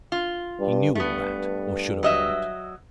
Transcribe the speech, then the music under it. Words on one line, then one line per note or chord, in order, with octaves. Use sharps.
He knew all that, or should have known it.
F4
G2
G2 A3 B3
F#3 D#5 E5